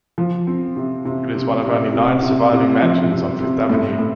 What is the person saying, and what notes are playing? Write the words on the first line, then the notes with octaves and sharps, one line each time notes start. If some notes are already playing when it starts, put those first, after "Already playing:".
It is one of only nine surviving mansions on Fifth Avenue.
F3
C4
C3
C3
C3
C3
C3
C3
C3
F3
C3
C3
A2
A2